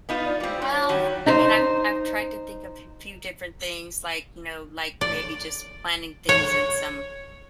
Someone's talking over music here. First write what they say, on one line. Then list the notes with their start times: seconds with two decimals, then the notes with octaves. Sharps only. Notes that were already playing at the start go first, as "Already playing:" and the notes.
Well, I mean, I've I've tried to think of a f few different things, like, you know, like maybe just planting things in some,
0.09 B3 D#4 F4
0.25 D5
0.40 G3 C4 F4
0.62 G2 C#5
0.89 D#3 F#3 G3
1.26 D#4 C5
5.01 D5
6.29 C#5